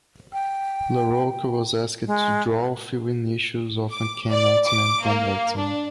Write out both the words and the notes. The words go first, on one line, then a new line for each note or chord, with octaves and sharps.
Larroca was asked to draw fill-in issues of "Uncanny X-Men" and "X-Men".
G5
G#3
D6
D5
D6
A#3
D4